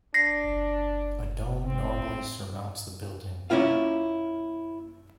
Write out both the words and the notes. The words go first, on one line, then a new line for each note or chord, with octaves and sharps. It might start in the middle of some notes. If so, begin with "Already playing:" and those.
A dome normally surmounts the building.
D4 A#6 C7
C4
A#3 C#4 E4 F4 F5